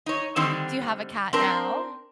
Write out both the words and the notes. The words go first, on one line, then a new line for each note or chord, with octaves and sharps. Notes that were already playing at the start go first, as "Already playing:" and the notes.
do you have a cat now?
D#4 C#5
D3 D#3 G3 C4
C4 D4 A#4 C5